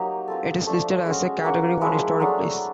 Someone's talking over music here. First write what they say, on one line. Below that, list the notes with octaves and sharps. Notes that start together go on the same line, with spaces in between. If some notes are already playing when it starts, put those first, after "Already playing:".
It is listed as a Category One Historic Place.
Already playing: F#3 A#3 D#4 G4
C4 F4 A4
F3 A3 D4
G#3 C#4 F#4
A#3 C#4 F#4
F3 G#3 C4 E4
F#3 A3 D4